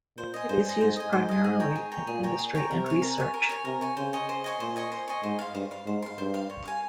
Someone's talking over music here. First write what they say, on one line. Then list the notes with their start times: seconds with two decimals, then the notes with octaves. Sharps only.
It is used primarily in industry and research.
0.18 A#2 C5
0.34 D#5 G#5
0.49 G2 C5
0.65 D#5 G#5
0.81 G#2 C5
0.96 D#5 G#5
1.12 G#2 C5
1.29 D#5 G#5
1.44 G#2 G#4
1.60 C#5 G5 A#5
1.76 G#4
1.92 C#5 G5 A#5
2.07 A#2 G#4
2.23 C#5 G5 A#5
2.39 G#4
2.55 C#5 G5 A#5
2.71 C3 A#4
2.86 C#5 G#5
3.02 A#4
3.18 C#5 G#5
3.34 A#4
3.49 C#5 G#5
3.65 C3 A#4
3.81 C#5 G#5
3.97 C#3 C5
4.13 D#5 G#5 C#6
4.29 C5
4.44 D#5 G#5 C#6
4.60 A#2 C5
4.76 D#5 G#5 C#6
4.92 C5
5.08 D#5 G#5 C#6
5.23 G#2 C5
5.39 F5 C6
5.55 G2 C5
5.71 F5 C6
5.86 G#2 C5
6.02 F5 C6
6.18 G2 C5
6.34 F5 C6
6.50 C#5
6.65 F5 G#5